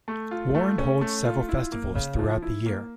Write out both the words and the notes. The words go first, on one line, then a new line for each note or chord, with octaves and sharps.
Warren holds several festivals throughout the year.
A3
F4
A3
C#4
A3
F4
E4
A#3
C#3
F3
E4
A#3